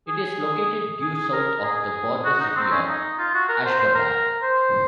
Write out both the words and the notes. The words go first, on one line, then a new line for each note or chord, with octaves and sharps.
It is located due south of the border city of Ashgabat.
G#4
G#4
G#4
A#4
G#4
F#4
D#4
C4
C#4
D#4
F4
F#4
A#4
C5
C5
A#4
C5